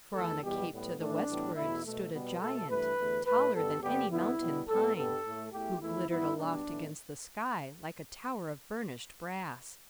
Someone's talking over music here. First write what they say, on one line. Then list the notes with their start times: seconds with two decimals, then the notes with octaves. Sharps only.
For on a cape to the westward stood a giant, taller than any mountain pine; who glittered aloft against the sky like a tower of burnished brass.
0.14 E2 E3 A3 A4
0.42 E2 B2 G3 B3 G4
0.71 A2 G3 B3
0.99 A2 E3 A3 D4
1.28 A2 E3 G3 B3
1.56 E2 B2 A3 E4
1.85 B2 A3
2.13 B2 G3 B3
2.41 B2 A3 A4
2.69 G2 E3 A3 B4
2.98 E2 D3 A3
3.26 A2 A3 B4
3.54 G2 G3 B3 A4
3.83 G2 D3 B3 G4
4.11 E2 D3 B3 E4
4.39 B2 G3 B3
4.68 A2 G3 B3 A4
4.96 G2 G3 B3 A4
5.24 A2 A3
5.52 E2 E3 A3 G4
5.81 E2 E3 A3 E4
6.09 G2 G3 B3 E4
6.37 B2 G3 B3 D4
6.66 A2 E3 B3